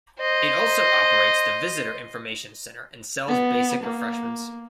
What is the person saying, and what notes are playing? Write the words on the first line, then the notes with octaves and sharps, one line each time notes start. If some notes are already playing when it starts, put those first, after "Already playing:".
It also operates the Visitor Information Centre and sells basic refreshments.
C5 D#5
B3
A#3